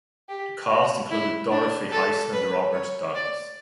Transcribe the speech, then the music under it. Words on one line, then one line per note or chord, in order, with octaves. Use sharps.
The cast included Dorothy Hyson and Robert Douglas.
G4
F#4
E4
D4
A4
B4
C#5
D5